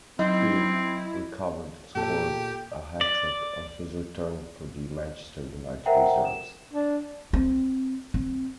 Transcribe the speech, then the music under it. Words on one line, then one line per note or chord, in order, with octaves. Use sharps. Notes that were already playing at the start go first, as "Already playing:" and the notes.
He recovered and scored a hat-trick on his return for the Manchester United reserves.
F#3 C4 D#4 E4
A#2 G4 A4
D5
A#4 C5 E5 F#5 G5 A#5
E7
D4
C4
C4